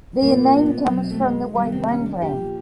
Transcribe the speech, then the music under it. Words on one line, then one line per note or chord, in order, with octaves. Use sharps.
Their name comes from the white wine brand.
A#2 F3 A#3
B3
C4
B3
B2 F#3 C4
A3
G#3
C3 D#3 G3 B3
C4
C#4
D4
A#2 F3 G4